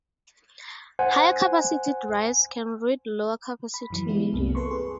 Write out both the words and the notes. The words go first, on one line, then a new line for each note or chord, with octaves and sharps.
Higher-capacity drives can read lower-capacity media.
C5 F#5 G#5
B5
F#2 E3 F#3
G3 G#3 B3 E4
C2 F#2 A#3 C4
A4 B4 C6 C#6
G#4